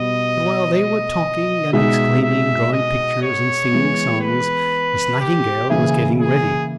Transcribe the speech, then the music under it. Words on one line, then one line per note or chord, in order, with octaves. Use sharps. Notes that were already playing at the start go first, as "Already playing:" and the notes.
But while they were talking and exclaiming, drawing pictures and singing songs, Miss Nightingale was getting ready.
Already playing: B2 G3 B3 D#5
D#5
B2 G#3 D#4 E5
E5
D#5
C#5
E3 G#3 B3
B4
G4
C#3 E3 A#3 E4 G#4
G#4